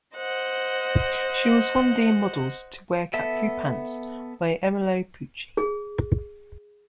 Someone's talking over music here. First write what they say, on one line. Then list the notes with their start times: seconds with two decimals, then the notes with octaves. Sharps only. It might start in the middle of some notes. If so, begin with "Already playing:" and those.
She was one of the models to wear capri pants by Emilio Pucci.
0.16 C5 D#5 F#5
3.14 B3 A4 E5
5.57 G#4